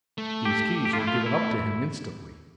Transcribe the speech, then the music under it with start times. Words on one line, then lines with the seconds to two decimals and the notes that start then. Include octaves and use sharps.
These keys were given up to him instantly.
0.18 A3
0.45 G4
0.85 G4
0.93 F4
1.00 E4
1.07 F4
1.26 E4